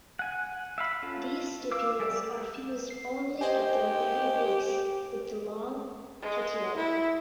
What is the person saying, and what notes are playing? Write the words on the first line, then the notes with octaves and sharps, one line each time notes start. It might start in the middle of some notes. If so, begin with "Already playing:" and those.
These stipules are fused only at their very base with the long petiole.
F#5 G#5
E5 F5 B5
C#4 F4 A4
F5 D6 E6
G3 G#4 D5 E5
C7
G4 C5 D#5 G#5
G#3
E4